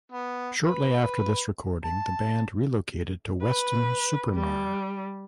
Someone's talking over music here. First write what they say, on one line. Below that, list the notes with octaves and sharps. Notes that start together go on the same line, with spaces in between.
Shortly after this recording the band relocated to Weston-super-Mare.
B3
B4
A5
B4
G3